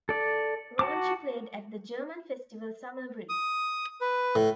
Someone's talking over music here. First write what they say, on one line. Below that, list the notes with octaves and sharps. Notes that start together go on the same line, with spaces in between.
Raunchy played at the German festival Summerbreeze.
A4 D5
F#4 A5 D6
D#6
B4
A2